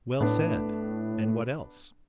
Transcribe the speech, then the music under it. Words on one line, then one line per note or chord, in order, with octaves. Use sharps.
'Well said; and what else?
A2 B3 D4